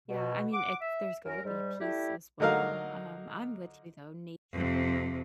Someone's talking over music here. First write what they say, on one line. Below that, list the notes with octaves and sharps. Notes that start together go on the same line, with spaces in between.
Yeah, I mean, it's there's gotta be peace, as well. Um, I'm with you, though, nature,
B2
F#5 D6
E5
F#2 C#4 A#4
G#2 G3
G3 A3 E4 G4
D3 F#3 D#4 A#4 F5
F2 C3